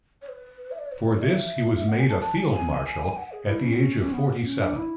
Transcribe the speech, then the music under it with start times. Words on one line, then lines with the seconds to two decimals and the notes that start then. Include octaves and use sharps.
For this he was made a Field Marshal at the age of forty-seven.
0.22 C#5
0.29 B4
0.72 E5
0.79 D5
0.86 C#5
0.92 B4
1.08 C#5
1.24 E5
1.88 F#5
1.99 G#5
2.10 A5
2.20 A5
2.36 G#5
2.52 G#5
3.16 F#5
3.32 G#4
3.48 E4
3.65 C#4
3.73 B3
3.80 C#4
4.02 C#4
4.13 B3
4.44 C#4
4.60 D4
4.77 E4